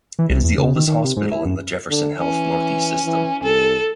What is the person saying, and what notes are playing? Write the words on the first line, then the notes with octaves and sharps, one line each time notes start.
It is the oldest hospital in the Jefferson Health Northeast system.
E3
C2
E2
C#3
D#3
D#3
C3
G#2
E4
F#2
D3
E3 C#4
E3
C2 A4